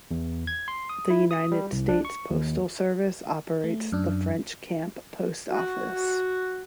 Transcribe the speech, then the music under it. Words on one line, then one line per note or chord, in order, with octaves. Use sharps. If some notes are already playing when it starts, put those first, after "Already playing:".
The United States Postal Service operates the French Camp Post Office.
E2
G#6
C6
D#6
E4
D#6
G3
C2
D4
C#6
D#2
A3
F#2 D4
F#4